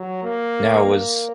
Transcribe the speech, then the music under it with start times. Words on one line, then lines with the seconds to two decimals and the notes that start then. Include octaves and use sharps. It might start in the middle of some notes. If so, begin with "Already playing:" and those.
Now was
Already playing: F#3
0.23 A#3
0.87 A#3